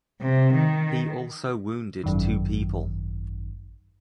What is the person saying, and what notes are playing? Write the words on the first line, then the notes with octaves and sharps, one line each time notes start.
He also wounded two people.
C3
D#3
G#1 F#2 D#3